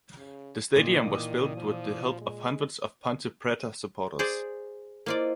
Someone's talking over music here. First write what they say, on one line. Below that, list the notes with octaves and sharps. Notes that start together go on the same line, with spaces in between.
The stadium was built with the help of hundreds of Ponte Preta supporters.
C#3
A#2 D#3 E3 D5 D#6
F3
G#3
G#4 C5 D5
A#3 E4 F4 C5 D5 D#5